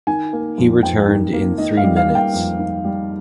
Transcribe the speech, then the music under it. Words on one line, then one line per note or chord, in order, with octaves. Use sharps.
He returned in three minutes.
D#3 G#5
A#3
F2
F2 G5
D#3
A#3
D#3 D#5
F5
G3
F5
A#3
G5
F2
D#3
G3